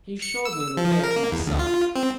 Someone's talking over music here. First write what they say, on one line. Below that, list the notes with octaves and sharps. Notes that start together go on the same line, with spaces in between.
He showed me the way to my son.
C#7
E6
F3
A#4
A#3
E2
D2
F4
C4